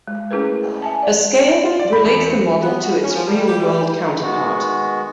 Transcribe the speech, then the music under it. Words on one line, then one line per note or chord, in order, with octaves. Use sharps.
A scale relates the model to its real-world counterpart.
G#3
A3 C#4 E4 G#4 A#4 B4
E5 G#5 A5
D5
F4
D5
B5
E2
C#7
B3
F#4
C#4
F3
G3
G4
G3
G4
D#3 G#3 B3 F#4